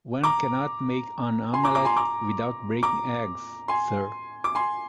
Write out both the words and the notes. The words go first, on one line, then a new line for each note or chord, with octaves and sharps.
One cannot make an omelette without breaking eggs, sir.
A#5 D6
G#5 C6
A#5 D6
A#5 D6
G#5 C6
A#5 D6
A#5 D6
G#5 C6
D6
G#5 C6